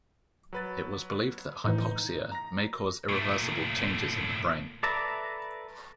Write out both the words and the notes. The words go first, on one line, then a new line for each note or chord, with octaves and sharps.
It was believed that hypoxia may cause irreversible changes in the brain.
F#3 B4 A6
A2 E3 D#4
A#5 A#6
A#2 A3
A4 B4 D5 E5 A#5